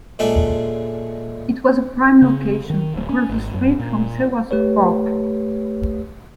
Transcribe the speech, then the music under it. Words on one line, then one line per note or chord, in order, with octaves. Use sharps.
It was a prime location, across the street from Seward Park.
A#2 G#3 A3 C#4 D4
C#3
D#3
D1
C#4
G#1
F#2
A#2
A3 G4 B4 C#5